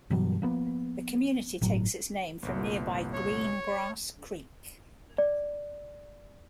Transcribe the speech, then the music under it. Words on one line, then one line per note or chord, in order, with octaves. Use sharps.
The community takes its name from nearby Green Grass Creek.
G2 B2 E3 F#3
F3 A#3 B3
G1 A2 F#3
G1 C2 A#2 B3
C#5
D5